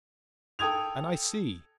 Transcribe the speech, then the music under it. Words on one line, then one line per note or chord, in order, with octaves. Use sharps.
And I see.
A4 G5 D#6 G#6 F7